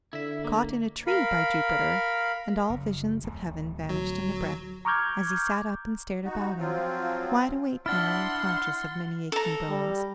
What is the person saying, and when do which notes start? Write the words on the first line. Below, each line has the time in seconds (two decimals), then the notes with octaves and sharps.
"Caught in a tree, by Jupiter!" and all visions of heaven vanished in a breath, as he sat up and stared about him, wide awake now, and conscious of many aching bones.
0.13 D3 E4 E5
0.44 A#3
1.07 A#4 F5 B5
2.70 F#1
3.24 D1
3.89 F#3
4.85 A#5 C#6 D6 F6 G6 G#6
6.25 D#4 F#4
6.59 F3 F#3 C4 F4
7.86 D4 E4 F#5 C6 F6 A6
9.32 A4 A#5
9.68 G3